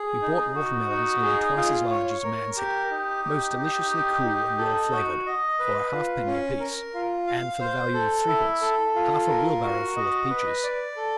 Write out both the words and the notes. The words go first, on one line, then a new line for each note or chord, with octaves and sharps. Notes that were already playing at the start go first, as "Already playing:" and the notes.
We bought water-melons nearly twice as large as a man's head, most deliciously cool and well-flavoured, for a halfpenny apiece; and for the value of threepence, half a wheelbarrowful of peaches.
Already playing: G#4
D#4
F#4
D#4
G#4
F4
C#5
A#4
G4
D#4
G4
D#4
G4
D#4
A4
F#4
D#5
B4
F4
C#4
A#4
F4
F5
C5
A4
E4
A4
F4
A#4
F#4
D#5
B4
D5
A4